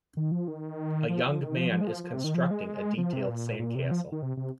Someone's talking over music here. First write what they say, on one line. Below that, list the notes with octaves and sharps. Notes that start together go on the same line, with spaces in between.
A young man is constructing a detailed sand castle.
D#3
F3
D#3
F3
F3
D#3
F3
F3
G#3
F3
F3
C3
D#3
F3
G#3
F3
C3
A#2
A#2
C3
F3
D#3
C3
C3